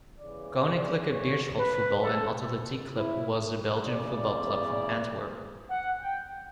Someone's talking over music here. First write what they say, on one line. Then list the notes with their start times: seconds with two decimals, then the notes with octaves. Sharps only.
Koninklijke Beerschot Voetbal en Atletiek Club was a Belgian football club from Antwerp.
0.19 C#3 E3 G3 B3 D5
0.65 D5
1.11 C#5
1.57 B4
2.03 A4
2.95 E4
3.86 E2 C#3 G3 D5
5.71 F#5
6.01 G5